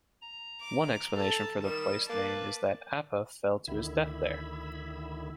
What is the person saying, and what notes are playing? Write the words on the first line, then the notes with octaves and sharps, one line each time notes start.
One explanation for the place name is that Apa fell to his death there.
A#5
D6
A4 A5
D#3 G3 E7
A#3 B4 A5 D6
D2 D3 D#3 E4 E5 B5